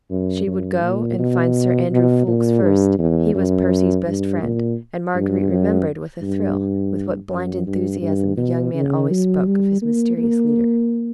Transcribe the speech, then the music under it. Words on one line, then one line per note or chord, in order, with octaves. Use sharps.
She would go and find Sir Andrew Ffoulkes first; he was Percy's best friend, and Marguerite remembered, with a thrill, with what blind enthusiasm the young man always spoke of his mysterious leader.
F#2
F#2
A#2
B2
B2
A#2
G2
E2
F#2
G2
A#2
G2
F#2
G2
F#2
G2
G2
B2
C#3
F#3
G3
A#3
A#3